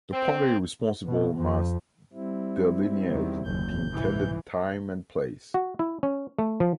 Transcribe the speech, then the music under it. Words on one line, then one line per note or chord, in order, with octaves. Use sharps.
The party responsible must delineate the intended time and place.
C4
B2
F2
G3 C4 E4
E2 D#3
F#1 D#2 A#2 G6
C2 G#2 E3
F#4
E4
C#4
A3
F3